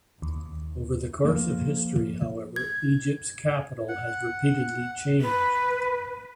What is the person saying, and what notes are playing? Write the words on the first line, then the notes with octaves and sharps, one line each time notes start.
Over the course of history, however, Egypt's capital has repeatedly changed.
D#2
F3 A#3
G#6
F#5
B4